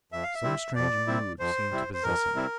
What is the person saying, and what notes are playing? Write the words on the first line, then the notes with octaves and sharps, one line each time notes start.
Some strange mood seemed to possess him.
F2 E5
F5
E5
C3 G3 C4 E4
F2 D5
C3 G3 C4 E4
F2 C5
C3 G3 C4 E4
C5
F2 A#4
C3 G3 C4 E4